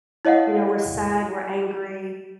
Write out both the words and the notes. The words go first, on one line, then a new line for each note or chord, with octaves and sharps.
you know, we're sad, we're angry.
E4 C#5 D#5 F5 F#5